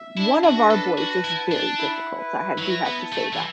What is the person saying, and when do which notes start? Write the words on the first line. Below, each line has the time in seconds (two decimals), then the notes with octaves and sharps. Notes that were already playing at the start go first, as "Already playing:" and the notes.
One of our boys is very difficult, I ha do have to say that.
Already playing: E5
0.17 D4 E4
0.44 F#4
0.58 B4
0.71 A4
0.97 F#4 A5
1.24 E4
1.37 F#5
1.51 D4
1.78 E4
2.18 B4
2.59 F#3 E4
2.86 B3
2.99 A5
3.13 A3
3.33 E3